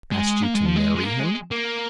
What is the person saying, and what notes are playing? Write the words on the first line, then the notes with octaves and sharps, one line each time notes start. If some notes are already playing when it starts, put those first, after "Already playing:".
"Asked you to marry him?"
G#3
A#3
G#3
F3
G#3
G#3
A#3
G#3
A#3